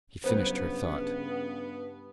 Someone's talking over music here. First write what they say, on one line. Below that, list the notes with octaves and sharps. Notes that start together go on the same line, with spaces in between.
He finished her thought.
G2 C#3 F#3 B3 B4 C5